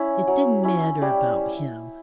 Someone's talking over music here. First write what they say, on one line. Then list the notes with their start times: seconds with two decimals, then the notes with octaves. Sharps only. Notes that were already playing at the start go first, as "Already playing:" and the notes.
It didn't matter about him.
Already playing: C#4 E4
0.27 F#3
0.63 C#4 E4
1.02 G3 G5